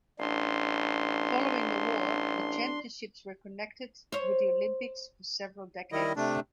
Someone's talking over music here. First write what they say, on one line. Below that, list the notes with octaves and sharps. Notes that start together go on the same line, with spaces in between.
Following the war, the championships were connected with the Olympics for several decades.
A1 D4 C6
C5 C#5
D#3 G3 E4 D#5
C3 A3 D4